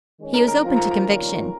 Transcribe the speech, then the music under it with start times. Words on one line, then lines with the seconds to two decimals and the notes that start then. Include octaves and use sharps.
He was open to conviction.
0.19 D#3 G#3 C#4
0.34 A#4 A#5
0.48 A#4 A#5
0.62 F3 C4 F4
0.76 A#4 A#5
0.91 A#4 A#5
1.05 D#3 G3 A#3 C#4 F4